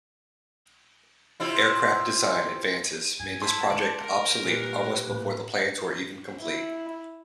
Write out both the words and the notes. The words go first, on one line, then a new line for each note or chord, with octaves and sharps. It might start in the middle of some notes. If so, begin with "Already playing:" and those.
Aircraft design advances made this project obsolete almost before the plans were even complete.
C3 E4 F4
G2 G#5
E4 A5 C6
D3 G#3 D5
A#4
A#2 G3 B4
A2 A#3
E4